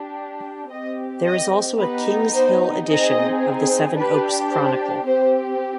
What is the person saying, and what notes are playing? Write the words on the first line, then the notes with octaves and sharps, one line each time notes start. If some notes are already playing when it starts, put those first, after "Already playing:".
There is also a King's Hill edition of the Sevenoaks Chronicle.
Already playing: D4 G4
C4 G4 D#5
D#5
B3 D#4 G4 B4
C5
C4 D#4 G#4 D#5
D4 G4 B4
C5
C4 G4 C5